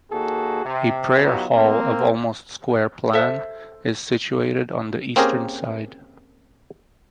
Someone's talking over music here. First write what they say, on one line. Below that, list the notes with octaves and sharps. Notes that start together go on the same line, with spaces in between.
A prayer hall of almost square plan is situated on the eastern side.
D#2 A#3 F#4 G#4 A4
C3
F#3 B3 D#4 F4 G4
A#3 C4
A4 C5 E5
A#3 C4 C#4 G4 G#4 A#4